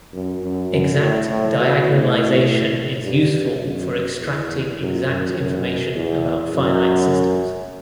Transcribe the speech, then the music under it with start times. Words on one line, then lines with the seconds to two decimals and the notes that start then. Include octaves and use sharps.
Exact diagonalization is useful for extracting exact information about finite systems.
0.14 F#2
0.43 F#2
0.72 F#2
1.01 A2
1.30 A2
1.59 B2
1.89 A2
3.05 G2
3.63 F#2
4.21 E2
4.79 F#2
5.08 F#2
5.38 F#2
5.96 E2
6.54 F#2